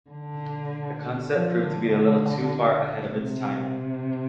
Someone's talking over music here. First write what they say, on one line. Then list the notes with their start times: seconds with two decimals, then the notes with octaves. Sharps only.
The concept proved to be a little too far ahead of its time.
0.11 D3
1.33 F3
1.63 D3
3.16 C3